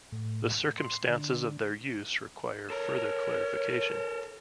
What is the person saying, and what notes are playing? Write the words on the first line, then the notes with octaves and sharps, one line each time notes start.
The circumstances of their use require further clarification.
A2
C6
D3
A4 A#4 C#5